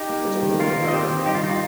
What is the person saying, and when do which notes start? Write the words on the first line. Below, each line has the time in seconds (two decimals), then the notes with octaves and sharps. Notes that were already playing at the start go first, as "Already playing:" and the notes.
It's a really good record.
Already playing: D#4 G4
0.10 A#3
0.26 G3
0.42 D#3
0.59 A#3 F4 A#4
0.76 D#3
0.88 D#5
0.93 C4 G4 C5
1.10 D#3
1.26 G3 D#4 G4
1.35 F4
1.43 D#3 D#4
1.51 F4